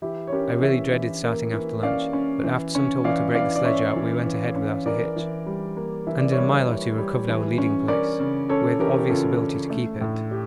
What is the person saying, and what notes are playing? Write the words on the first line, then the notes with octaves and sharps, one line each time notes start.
I really dreaded starting after lunch, but after some trouble to break the sledge out, we went ahead without a hitch, and in a mile or two recovered our leading place with obvious ability to keep it.
E3 E4 G4
C#5
C#4 G4 A#4
E3 C#5 E5
E3
A#3
E3
C#4 D5 F5
C#4
E3
C#4
E3 D5 F5
E3 D5 F5
D5
C#4 C#5 E5
E3
E3
C#4
E3 A#4 D5
E3
G3
A#3
E3 E5
D5
C#5 E5
G3
E3
G3
E3
C#4
C#4 A#4 D5
C#3
C#4 A4 C#5
E3 G4 A#4
G4
C#3 F4 A4
C#4
A3
A2
G4